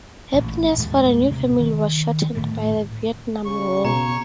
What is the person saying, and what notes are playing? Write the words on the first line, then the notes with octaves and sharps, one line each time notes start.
Happiness for the new family was shortened by the Vietnam War.
A1 A#2
D#2 A2 G#3 A3
C3
D#3
D1 A2 A3
C#3 C#6
B2 C#5 A#5